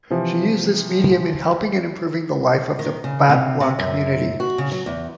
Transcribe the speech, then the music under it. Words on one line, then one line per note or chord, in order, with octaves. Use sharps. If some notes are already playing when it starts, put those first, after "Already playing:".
She used this medium in helping and improving the life of the Batwa community.
C3 E3 F3
D#3
C#3
C3
C3
F#2
F#4
C#3
F#3
E2